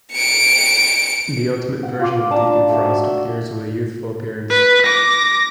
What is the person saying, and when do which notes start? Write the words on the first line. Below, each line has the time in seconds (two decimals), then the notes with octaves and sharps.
The Ultimate version of Deacon Frost appears with a youthful appearance.
0.13 C#7 D7
1.83 F#5
2.00 F4 B5 D6
2.31 D4 A5 A#5
2.69 A3 F#4
2.98 E5
4.50 B4
4.83 D6 A#6